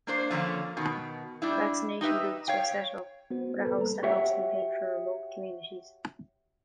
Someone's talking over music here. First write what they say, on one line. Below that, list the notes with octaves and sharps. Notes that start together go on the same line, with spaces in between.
Vaccination booths were set up, with a house-to-house campaign for remote communities.
A#3 D4 C5
D3 F3 A#3 C#4
B2 D#3
G3 D4 E4
D#4 G4 B4 E5
C#5 F5 G5
B3 F#4 C5
A4 B4
G3 A#3 A#5
F#4 G4 C#5 E5 F#5 G5